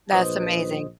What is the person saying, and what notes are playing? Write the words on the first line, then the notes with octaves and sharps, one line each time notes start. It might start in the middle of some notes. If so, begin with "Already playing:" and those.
That's amazing.
A#1 B4 C5 D#5 D#6